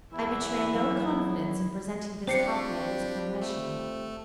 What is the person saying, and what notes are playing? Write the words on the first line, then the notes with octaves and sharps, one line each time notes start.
I betray no confidence in presenting this copy of his confession.
E2 E3 E4 E5
F#3
G3 C4 D4 F4 G4 C5 C7 C#7
A3